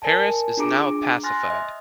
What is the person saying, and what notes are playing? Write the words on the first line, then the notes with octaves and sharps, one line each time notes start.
Paris is now pacified.
A#4 D5 G#5 A5
D4 F4 G#4 A#5 D6 D7
G#5 C6 F6 F#6 A6 A#6
D#5 E5